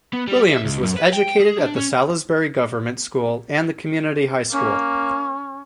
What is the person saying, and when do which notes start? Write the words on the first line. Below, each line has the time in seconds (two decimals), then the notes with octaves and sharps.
Williams was educated at the Salisbury Government School and the Community High School.
0.13 B3
0.28 G3
0.49 E5
0.64 C#2
0.83 F#2
0.97 B4
1.13 G5
1.40 G#4
1.58 D4
1.76 C#4
4.52 A#3 C#4